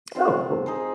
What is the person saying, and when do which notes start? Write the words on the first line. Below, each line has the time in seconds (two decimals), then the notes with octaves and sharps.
Oh, cool.
0.15 C4 F4 C5
0.66 D#4 G#4 C5